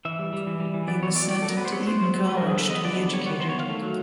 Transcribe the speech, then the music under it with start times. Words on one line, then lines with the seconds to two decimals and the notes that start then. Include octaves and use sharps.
He was sent to Eton College to be educated.
0.05 E3 E5
0.19 G3
0.33 G3
0.47 E3
0.60 G3
0.74 E3
0.88 B3 D5
1.03 E3 C#5
1.16 F#3 D5
1.30 F#3 D5
1.42 A4
1.45 F#3 A#4
1.57 B3 B4
1.65 C5
1.72 F#3 C#5
1.87 B3 C5
2.01 F#3
2.14 F#3
2.28 G3 B4
2.37 A#4
2.42 D3 G#4
2.56 B3 A4
2.70 B3 D#5
2.84 B3 D5
2.98 D3
3.13 G3 C#5
3.26 B3 C#5
3.40 D#3 C5
3.49 C#5
3.54 D#3
3.60 F5
3.69 A3
3.83 F#3